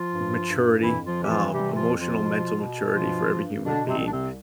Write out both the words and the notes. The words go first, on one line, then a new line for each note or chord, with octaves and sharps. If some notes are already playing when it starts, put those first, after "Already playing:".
maturity, um, emotional mental maturity for every human being,
Already playing: F3 F4
G2
G2
F2 E3 E4
F3 F4
E3
G4
F3 F4
C3 G3 G4
F3 F4
F2
F3 F4
B2
B2
G2 F3 F4
G2
B2 D3 D4
C3 C4
C2
D4
C3 C4